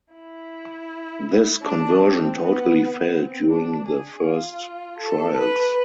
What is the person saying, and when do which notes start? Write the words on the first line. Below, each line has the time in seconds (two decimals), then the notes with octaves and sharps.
This conversion totally failed during the first trials.
0.14 E4
1.63 D4
2.00 C4
2.38 B3
3.13 C4
3.50 D4
3.87 G#4
4.25 F4
4.98 A4
5.36 B4